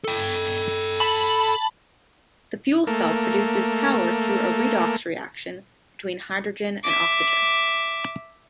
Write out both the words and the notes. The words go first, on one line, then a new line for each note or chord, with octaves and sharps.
The fuel cell produces power through a redox reaction between hydrogen and oxygen.
A4 G5
A5 B5 F#7
A3 A#3
E5 D6